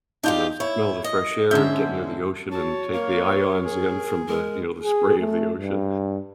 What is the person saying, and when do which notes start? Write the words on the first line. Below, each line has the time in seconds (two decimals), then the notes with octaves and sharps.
you know, smell the fresh air, get near the ocean, and take the ions in from the, you know, the spray of the ocean,
0.24 D4 D#4 F4 G4 G6
0.60 E4 C#5
1.04 D#5
1.51 G#2 D3 C#4 E5 G6
2.52 F#4 C#5 A5
2.93 A#3 A#4
3.64 G#4
4.27 G#3 A#4
4.83 G#4
5.19 A3
5.57 G2